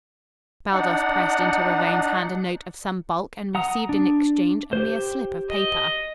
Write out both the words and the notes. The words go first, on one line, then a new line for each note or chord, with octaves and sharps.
Baldos pressed into Ravone's hand a note of some bulk and received in exchange a mere slip of paper.
D4 D#4 F#5
F#5 A#5 D#6
D4
G4 C5
D#5